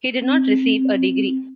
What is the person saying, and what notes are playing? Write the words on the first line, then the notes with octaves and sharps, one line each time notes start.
He did not receive a degree.
C4